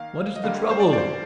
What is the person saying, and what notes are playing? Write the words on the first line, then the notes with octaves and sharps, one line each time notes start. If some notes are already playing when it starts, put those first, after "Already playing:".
"What is the trouble?"
Already playing: D#3 A#3 F5
D#5
D3 G3 A#3 F5
C5
D5
D5
C5